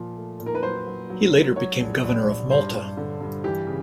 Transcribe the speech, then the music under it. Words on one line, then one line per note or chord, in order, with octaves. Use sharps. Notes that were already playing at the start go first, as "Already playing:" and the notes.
He later became Governor of Malta.
Already playing: A#2 F3
A3
A#2
A#4
B4
F#3 C5
F#3
F#3
A#3
F#3 C#5
A#1
A#1
A#1
G2 C5
G2
D3
G2
E3 G4
C#3